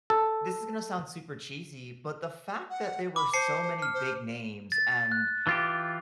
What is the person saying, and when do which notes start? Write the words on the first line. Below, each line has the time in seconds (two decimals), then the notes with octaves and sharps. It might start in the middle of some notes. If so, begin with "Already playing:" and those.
this is gonna sound super cheesy, but the fact that there were so many big names and
0.10 A4
2.70 F#5
3.16 B5 D6
3.33 C5 A5 C7 C#7
3.82 F6
3.94 C5
4.72 A6
5.12 F#6
5.47 E3 F4 G4